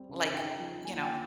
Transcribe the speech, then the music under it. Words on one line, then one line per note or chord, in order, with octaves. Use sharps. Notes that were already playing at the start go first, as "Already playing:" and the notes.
like, you know,
Already playing: G3 C4
C#3
D#4 G5
F3
A#3 G#5
G5